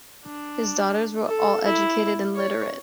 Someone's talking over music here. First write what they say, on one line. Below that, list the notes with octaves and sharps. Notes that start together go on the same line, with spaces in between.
His daughters were all educated and literate.
D4
A4
E4
C#5